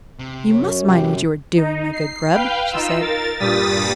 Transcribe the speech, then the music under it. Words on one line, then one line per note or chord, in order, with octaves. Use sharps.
"You must mind what you are doing, my good Grub," she said.
C3
F#2 C#5
C3 G#3 G4
D#4
C7
B4 F5 G5
D#4 F4 E6
A#4 A6
G2 A#2 G3 D#6 A6 B6